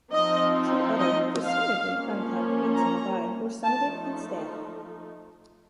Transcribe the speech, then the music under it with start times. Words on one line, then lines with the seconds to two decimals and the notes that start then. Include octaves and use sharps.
Two other, presumably unclimbed peaks nearby were summited instead.
0.11 F3 C4 D#4 D#5
0.99 D#5
1.44 F5
1.88 F3 A#3 C#4
2.76 A#5
3.64 F3 A3 D#4 A5